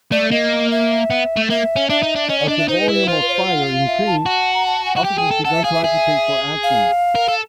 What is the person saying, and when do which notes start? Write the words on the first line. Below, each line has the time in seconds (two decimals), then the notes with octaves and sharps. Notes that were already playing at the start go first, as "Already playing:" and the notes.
As the volume of fire increased, officers began to agitate for action.
0.12 A3 D5
0.31 A#3 D#5
0.71 E5
1.10 B3
1.37 A3
1.50 A#3 E5
1.76 C#4
1.90 D4 E5
2.03 D#4
2.16 D4
2.28 C#4 D#5
2.39 D5
2.48 D4 D#5
2.59 E5
2.68 D#4 C5
2.81 B4
2.88 E4
2.95 B4
3.08 F4 C5
3.22 B4
3.29 C#5
3.34 C5
3.47 F#5
3.66 F5
3.87 E5
4.07 A5
4.26 F#4
4.54 A#5
4.66 A5
4.86 G#5
4.95 F#4 F#5
5.04 G4 G5
5.18 G#4
5.31 A4
5.45 A4 F#5
5.54 E5
5.64 G#4 F5
5.74 E5
5.84 G#4
6.63 F5
7.15 A#4
7.28 A4